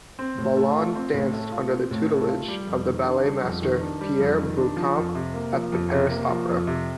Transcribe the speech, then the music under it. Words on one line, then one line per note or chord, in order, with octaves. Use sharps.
Balon danced under the tutelage of the balletmaster Pierre Beauchamp at the Paris Opera.
C4
A2
A3
F4
C4
A2
A3
F4
C4
A2
A3
F4
G3
F2
D#3
D4
G3
F2
D#3
D4
G3
F2
D#3
D4
F3
F2
C3
A#3
F3
F2
C3
A#3
F3
F2
C3